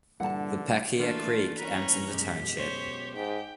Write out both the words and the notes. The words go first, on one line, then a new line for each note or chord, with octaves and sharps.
The Pequea Creek ends in the township.
G2 A#2 D3 E3 G3 F#5 A5
E3 A3 A#3 D4 F4
C#4 B4 A#5
F#2 B2 G#3 G4
C5 C#5
G#2 G5